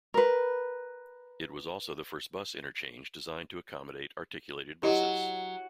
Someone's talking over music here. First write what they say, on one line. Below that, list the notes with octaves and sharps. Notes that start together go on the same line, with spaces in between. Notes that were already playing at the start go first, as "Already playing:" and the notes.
It was also the first bus interchange designed to accommodate articulated buses.
A#4 B4
F#3 E4 G4 D#5